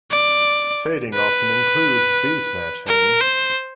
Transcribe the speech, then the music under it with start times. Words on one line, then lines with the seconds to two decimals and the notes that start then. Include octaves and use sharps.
Fading often includes beatmatching.
0.11 D5
1.14 B4
2.87 A#4
3.21 C5